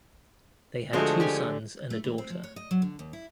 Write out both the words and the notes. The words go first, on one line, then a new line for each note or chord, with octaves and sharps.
They had two sons and a daughter.
D3 F3 G#3 A3 F#4 C5
G4 A4 G#5
A3
E3
C4
F3
C#5
D#5
F#3
D3
D#2
E4